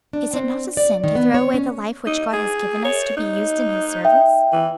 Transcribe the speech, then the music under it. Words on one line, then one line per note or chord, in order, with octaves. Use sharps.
"Is it not a sin to throw away the life which God has given us to be used in His service?"
D4
C4
D5
D#3
B3
C#5
C#4
D#4
G#4
C#5
D#4
E5 G5
E3